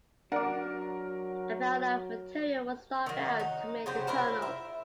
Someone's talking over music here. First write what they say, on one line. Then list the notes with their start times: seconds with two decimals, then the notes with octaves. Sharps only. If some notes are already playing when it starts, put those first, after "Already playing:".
About of material was dug out to make the tunnel.
0.32 F#3 D4 A#4 D5 F#5
3.06 D#3 F#3
3.40 D#4
3.86 C#3 F#3 G4 C5
4.07 E4 F4 A#4 C5
4.42 E5